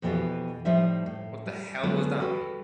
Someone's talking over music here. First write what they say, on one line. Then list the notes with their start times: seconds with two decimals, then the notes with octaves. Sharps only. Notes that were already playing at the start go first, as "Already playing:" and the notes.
What the hell does that mean?
0.02 F2 B2 E3 B3 G4 F5
0.65 A2 F3 G3 D#4 E5
1.06 A2
1.46 G3
1.83 D3 F#3 G#3 B3 C#4 F4
2.19 G3 F#4 A4 B4